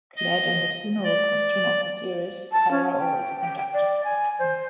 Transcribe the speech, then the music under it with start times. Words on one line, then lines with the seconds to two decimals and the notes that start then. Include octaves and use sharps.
Clad in the funeral costume of Osiris, Pharaoh is conducted to the tomb.
0.16 D#5
1.04 D5
2.52 A5
2.71 C#4
3.00 G5
3.40 G5
3.74 D5
4.04 G#5
4.39 C5